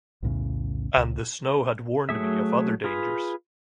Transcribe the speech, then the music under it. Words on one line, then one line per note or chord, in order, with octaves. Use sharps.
And the snow had warned me of other dangers.
B1 E2 A2 C#3
C#2
F#3 A3 G#4 E5
F4 G#4 B4